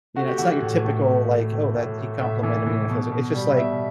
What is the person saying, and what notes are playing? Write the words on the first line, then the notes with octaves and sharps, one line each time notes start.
you know, it's not your typical, like, "Oh, that he complimented me, and it feels like" it's just, like,
A3 F#4
G4
E3 F#4
A2
A2
A3
A3
A2
A2
A3
A2 E5
E3
E3
B2
B2
G3
B2 E5